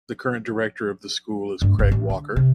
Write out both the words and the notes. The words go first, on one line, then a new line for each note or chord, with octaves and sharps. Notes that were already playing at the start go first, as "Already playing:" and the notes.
The current director of the School is Craig Walker.
G2 A3
G1 C2
A1
D3
C3